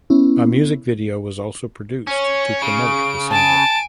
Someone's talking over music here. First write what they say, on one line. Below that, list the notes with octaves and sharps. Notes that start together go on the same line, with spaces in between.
A music video was also produced to promote the single.
B3 C#4 E4
C#4 C#5
C#3 D7
G#5 A5 D7